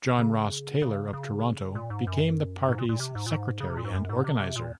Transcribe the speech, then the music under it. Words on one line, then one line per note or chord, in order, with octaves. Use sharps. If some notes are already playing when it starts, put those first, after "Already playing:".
John Ross Taylor of Toronto became the party's secretary and organizer.
C#3
C#3
C#3
A#2
G#2
F#2
G#2
A#2
A#2
C3
G#2
A#2
G#2
C#3
C3
A#2
G#2
F#2
G#2
C3
C3
A#2